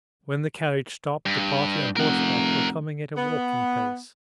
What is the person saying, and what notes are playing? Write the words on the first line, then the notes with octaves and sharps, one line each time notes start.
When the carriage stopped, the party on horseback were coming at a walking pace.
G2
F1 A#4 F#5
B3